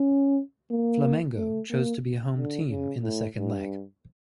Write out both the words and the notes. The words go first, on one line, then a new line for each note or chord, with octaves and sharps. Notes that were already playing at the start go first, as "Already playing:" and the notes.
Flamengo chose to be home team in the second leg.
Already playing: C#4
A#3
A3
A#3
D3
C#3
A2
G2